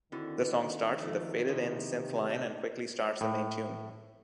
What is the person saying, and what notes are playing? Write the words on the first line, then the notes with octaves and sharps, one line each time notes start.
The song starts with a faded-in synth line and quickly starts the main tune.
D3 D#3 C4 E4 F#4
F3 A3
C3 E3 F3 A#3
D4 D#4
A2